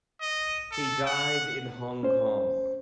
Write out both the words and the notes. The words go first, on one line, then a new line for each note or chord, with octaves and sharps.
He died in Hong Kong.
D#5
A4
F#5
C#4 C5